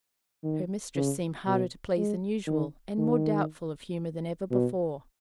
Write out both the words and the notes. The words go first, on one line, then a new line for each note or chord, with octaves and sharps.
Her mistress seemed harder to please than usual, and more doubtful of humor than ever before.
D#3
C#3
B2
G#3
D#3
D#3
B2